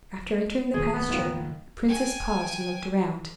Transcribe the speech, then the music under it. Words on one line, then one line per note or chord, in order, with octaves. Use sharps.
After entering the pasture, the princess paused and looked around.
A#2 D#3 F#3 G#4 G#6
B3
F#1 D#2 A2 D#3 F4
G5 G#5